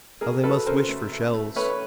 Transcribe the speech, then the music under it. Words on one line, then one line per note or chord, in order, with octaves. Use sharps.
"How they must wish for shells!"
A3 G#4 A#4
F#3 A4 B4
C#3 A#4 C5
A3
A3
A3
A3 B4 C#5